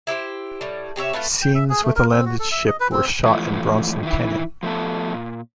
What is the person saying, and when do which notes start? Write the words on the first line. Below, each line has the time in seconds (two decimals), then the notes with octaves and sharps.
Scenes with the landed ship were shot in Bronson Canyon.
0.07 E4 G4 B4 C5
0.61 A2 G3
0.96 C3 G4 C#5 E5
1.13 A3 B3 D#4 F4
1.42 G5
1.55 E5
1.70 G#4
1.84 A3
1.96 A#4
2.11 C4
2.25 F#4
2.39 A4
2.52 E5
2.67 D#5
2.80 B4
2.92 C4
3.24 G#2 E3 F3 A3
4.03 D#3 E3 E4
4.63 F3 A3 B3 A4
5.14 A#2